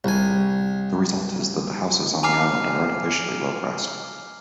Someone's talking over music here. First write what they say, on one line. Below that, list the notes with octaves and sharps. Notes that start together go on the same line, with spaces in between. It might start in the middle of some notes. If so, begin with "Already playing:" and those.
The result is that the houses on the island are artificially low priced.
C2 G#5
G#5 A#5 D6 F6 C7